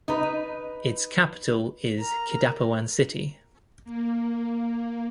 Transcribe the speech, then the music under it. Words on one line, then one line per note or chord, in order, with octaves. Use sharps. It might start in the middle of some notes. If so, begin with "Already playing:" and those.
Its capital is Kidapawan City.
D#4 B4
A#4 A#5
A#3